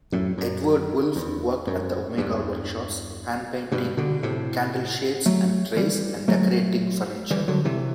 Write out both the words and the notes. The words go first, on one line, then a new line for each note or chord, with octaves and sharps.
Edward Wolfe worked at the Omega Workshops, hand-painting candle-shades and trays, and decorating furniture.
F#2 A2
F#2
E2
F#2
E2 G2
G2 B2
B2 D3
A2 C3
F#3 A3
E3 G3
F#3 A3
E3 G3
D3 F#3
C3 E3